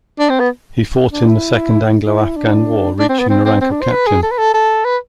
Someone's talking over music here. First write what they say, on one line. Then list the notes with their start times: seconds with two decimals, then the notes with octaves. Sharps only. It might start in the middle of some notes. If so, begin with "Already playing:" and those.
He fought in the Second Anglo-Afghan War, reaching the rank of captain.
0.19 D4
0.29 C4
0.40 B3
1.12 D4
1.28 E4
2.06 E4
2.37 D4
2.99 D4
3.09 C4
3.20 B3
3.29 C4
3.45 C4
3.61 C4
3.71 D4
3.81 C5
3.92 B4
4.07 G#4
4.23 A4
4.31 B4
4.38 A4
4.54 A4
4.85 B4